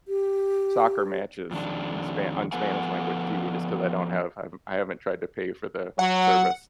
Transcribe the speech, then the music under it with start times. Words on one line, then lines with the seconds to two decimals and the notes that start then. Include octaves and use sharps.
soccer matches in Spa on Spanish language TV just 'cause I don't have I've I haven't tried to pay for the service,
0.08 G4
1.51 F2 D#3 D4
2.52 F3 B3 A4 B4 F#5 G#5
5.99 F#3 F#5